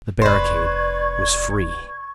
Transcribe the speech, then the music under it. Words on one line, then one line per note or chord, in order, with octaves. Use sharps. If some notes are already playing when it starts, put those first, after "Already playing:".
The barricade was free.
F1 B4 C5 D5 C#6 G#6